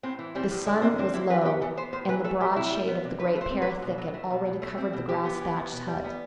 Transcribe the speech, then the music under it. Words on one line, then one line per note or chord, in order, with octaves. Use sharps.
The sun was low, and the broad shade of the great pear thicket already covered the grass- thatched hut.
A2 C4
E3
G3 C4
A2
D3 D4
G3 C4
C4 D4
D3 E4
E3 B4
B3 G4
E3 A4
B3 C5
A2 C5
E3 B4
A3 A4
A2 G4
C3 E4
G3
B3
C3
D3 B4
A3 B4
C5
C4
B4
D3
B2
F#3
A3
B2
B2
A3
C4
B2
E3 G4
B3
E3
B3
B2
G3
B3